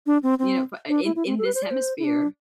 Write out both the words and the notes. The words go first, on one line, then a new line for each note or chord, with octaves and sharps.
you know f in in this hemisphere.
D4
C4
C4
D4
E4
E4
C4
A4
B4
C5
D5
C5
E4
D4